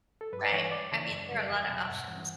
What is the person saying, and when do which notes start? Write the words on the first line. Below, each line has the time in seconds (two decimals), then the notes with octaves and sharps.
Right. I mean, there are a lotta options.
0.21 A4
0.33 G2 B4
0.44 D5
0.52 E3 G3 C#5
0.72 D2 D5
0.91 C#3 E3
1.10 F#2
1.31 C#3 G3
1.50 E2 E5
1.69 B2 F#3
1.88 G2 F#5
2.08 E3 G3